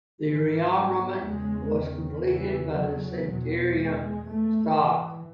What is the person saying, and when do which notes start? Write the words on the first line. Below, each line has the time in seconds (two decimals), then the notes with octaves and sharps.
The rearmament was completed by the Centurion stock.
0.24 G#2 E3
0.74 F#3
1.25 E2 C#3 G#3
1.76 D#3
2.25 E2 C#3 E3
2.76 F#3
3.26 E2 B2 F#3
3.77 G#3
4.26 G#2 A3
4.77 E3